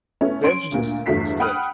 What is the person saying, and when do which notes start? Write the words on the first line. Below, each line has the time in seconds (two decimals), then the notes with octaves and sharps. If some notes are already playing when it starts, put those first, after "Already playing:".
That's just Steph.
0.21 A3 B3 C#4 E4
0.43 C#4 C6 D7
0.72 D2 A#2
1.06 G1 E2 A3 F#4 B6 C7
1.40 F#5 G5 B5 D#6 F6 F#6